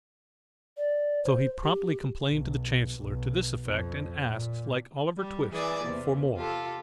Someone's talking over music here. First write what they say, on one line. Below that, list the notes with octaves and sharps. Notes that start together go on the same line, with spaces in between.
So he promptly complained to the Chancellor, to this effect, and asked, like Oliver Twist, for more.
D5
C5
G4
B1
B1
F2
A#2
G3
E3 G#4 D5
E2 C3
F4 G4 A4